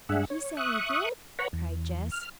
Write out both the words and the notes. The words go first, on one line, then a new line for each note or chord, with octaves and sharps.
"And he said he did!" cried Jess.
G2 D4 G#4 E5 F#5
C#5
E5 C#6 D#6 F#6
B4 C#5 F#5 A#5 B5 C#6
E2
F6